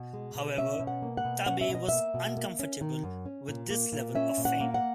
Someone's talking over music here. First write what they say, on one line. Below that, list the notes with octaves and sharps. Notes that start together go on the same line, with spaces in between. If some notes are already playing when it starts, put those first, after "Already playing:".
However, Tabei was uncomfortable with this level of fame.
Already playing: B2
G#3
B2
C#4 E5
B2
F#5
A#3
F#5
B2
C#4 F#5
E5
B2
D#5
A#3 E5
B2
A#3
C#4
D#3
F#2
C#4
A#2
A#3
A#2
C#4 E5
A#2
F#5
A#3
F#5